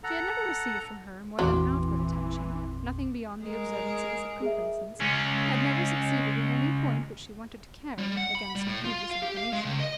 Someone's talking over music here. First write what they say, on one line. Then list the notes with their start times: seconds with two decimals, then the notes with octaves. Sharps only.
She had never received from her more than outward attention, nothing beyond the observances of complaisance; had never succeeded in any point which she wanted to carry, against previous inclination.
0.04 A4 F#5 A#5
1.39 G#1 E2 A#2 E3 F#3 C4 C6 D6
3.43 G#3 G#4 A#4
4.42 G#4 E5
5.01 C#2 C#4
7.98 G3
8.17 F#5
8.35 B5
8.55 G3
8.67 A2
8.85 F4
9.11 F5
9.23 G4
9.37 F5
9.53 G#3
9.65 C#2
9.80 D#5